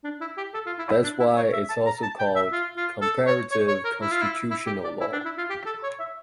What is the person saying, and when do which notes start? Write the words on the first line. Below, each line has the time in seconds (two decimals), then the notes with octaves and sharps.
That’s why, it’s also called “comparative constitutional law”.
0.04 D4
0.21 E4
0.37 G4
0.54 A4
0.66 F4
0.79 E4
0.91 E4
1.04 D4
1.20 E4
1.36 C#5
1.53 E5
1.70 A5
1.86 A#5
2.03 A5
2.19 G5
2.36 E5
2.52 F4
2.77 F4
3.02 A4
3.26 C#5
3.51 C#5
3.68 C#5
3.85 A#4
4.01 E4
4.11 F4
4.21 E4
4.51 E4
4.67 G4
4.84 D5
5.00 E4
5.12 D4
5.25 E4
5.38 F4
5.50 G4
5.66 A4
5.83 C#5
6.00 E5